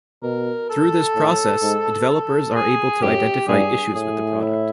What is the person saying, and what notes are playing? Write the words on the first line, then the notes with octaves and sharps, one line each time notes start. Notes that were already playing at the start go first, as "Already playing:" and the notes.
Through this process, developers are able to identify issues with the product.
B2 A#4
A4
A2
G#2
A4
G#4
F#2 G4
G2 G#4
A2 G#4
E4